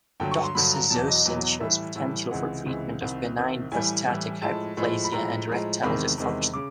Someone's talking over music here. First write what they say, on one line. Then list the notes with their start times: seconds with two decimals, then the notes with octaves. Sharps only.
Doxazosin shows potential for treatment of benign prostatic hyperplasia and erectile dysfunction.
0.20 G2 D3 F#3 G5
0.31 C#6
0.43 C6
0.55 G2 D3 F#3 B5
0.73 A#5
0.90 E2 B2 F#3 A5
1.08 D#5
1.25 E2 B2 F#3
1.60 A2 E3 G3 E5
1.96 A2 E3 G3
2.31 C#2 C3 E3 G#3 F#5
2.66 C#2 C3 E3 G#3
3.01 C2 C3 D#3
3.37 C2 C3 D#3
3.72 A2 E3 G3 G#5
4.07 A2 E3 G3
4.42 A2 F3 G#3 A5
4.77 A2 F3 G#3
5.05 B5
5.12 A2 F3 G#3 A#5
5.48 A2 F3 G#3
5.82 E2 C3 D#3 G#3 B5
6.18 E2 C3 D#3 G#3
6.54 C#3 D6